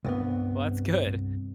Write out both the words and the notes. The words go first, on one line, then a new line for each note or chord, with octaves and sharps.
well, that's good.
C2 G2 B3